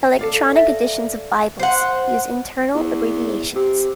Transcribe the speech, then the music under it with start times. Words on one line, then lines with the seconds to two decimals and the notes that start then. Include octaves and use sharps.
Electronic editions of Bibles use internal abbreviations.
0.19 A4 D5 F5
0.55 E5
1.59 C5 F#5
2.75 E2
3.55 C3